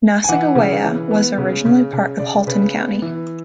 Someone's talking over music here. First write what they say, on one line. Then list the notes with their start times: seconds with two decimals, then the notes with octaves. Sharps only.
Nassagaweya was originally part of Halton County.
0.24 G#5
0.29 E3 F#5
0.55 C#3
0.83 E3
1.11 B3
1.38 C#3
1.65 C#3
1.93 C#3
2.19 C#3 D5
2.47 C#3 B4
2.74 B3
3.02 E3